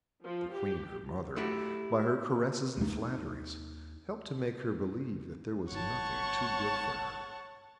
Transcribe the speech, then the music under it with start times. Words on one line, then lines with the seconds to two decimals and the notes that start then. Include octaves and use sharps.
The Queen, her mother, by her caresses and flatteries, helped to make her believe that there was nothing too good for her.
0.25 F3
0.54 G4
1.36 A3 E4 F#4 G4
2.77 D#2 D#4
5.72 G1 C#5 F#5 A5 C#6